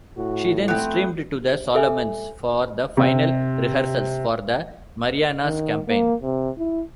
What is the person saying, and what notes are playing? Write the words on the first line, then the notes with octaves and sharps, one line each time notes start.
She then steamed to the Solomons for the final rehearsals for the Marianas campaign.
A2 F#4
A3 B3 C4
A4 E5 G#5
C3
D#3
A#3
C3
E4